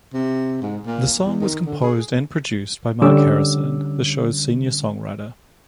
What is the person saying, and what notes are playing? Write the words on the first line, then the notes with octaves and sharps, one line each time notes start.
The song was composed and produced by Mark Harrison, the show's senior songwriter.
C3
G#2
A#2
E2
D#3
D3
G#4
D3 G3 C#4 D6 E6